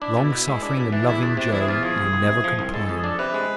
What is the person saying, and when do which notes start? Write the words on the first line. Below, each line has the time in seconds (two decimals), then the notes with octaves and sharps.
Long-suffering and loving Joe, you never complain.
0.01 D4 E4
0.17 B2
0.24 E4
0.32 B2
0.48 G#3
0.63 D4
0.77 B2
0.92 E3 D4
1.08 E2 E4
1.22 E2 D4
1.37 C3 D4
1.52 E3 E4
1.61 G#4
1.68 E2 F4
1.83 F3 G#4
1.98 C2
2.13 C2
2.28 C3
2.44 F3
2.59 C2
2.74 G#3 A4
2.85 F2 A4
2.96 G#4
3.04 D4 A4
3.19 C3 B4
3.34 G#3